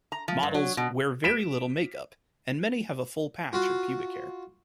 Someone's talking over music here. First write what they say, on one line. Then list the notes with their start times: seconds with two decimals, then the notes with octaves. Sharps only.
Models wear very little make-up and many have a full patch of pubic hair.
0.12 A#5
0.28 F3
0.43 G2
0.54 F#3
0.77 B2
1.24 B6 D7 E7
3.53 F4 F#4